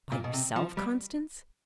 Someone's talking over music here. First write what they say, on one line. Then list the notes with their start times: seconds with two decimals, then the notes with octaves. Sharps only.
"By yourself, Constance?"
0.12 A#2
0.24 B2
0.33 C3
0.56 F3
0.77 G3